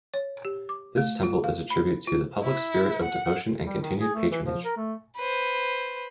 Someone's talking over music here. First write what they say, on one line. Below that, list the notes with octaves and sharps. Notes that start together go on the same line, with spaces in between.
This temple is a tribute to the public spirit of devotion and continued patronage.
C#5
G4
D6
A3
F4
F5
B5
F4
E4
F#5
G3
D#3
G#4
A3
E3
F3
A#4
A3
B4 C5